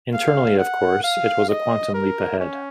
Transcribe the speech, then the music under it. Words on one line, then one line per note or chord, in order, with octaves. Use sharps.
Internally of course, it was a quantum leap ahead.
F5
F#5
F5
D#5
A#4
C#4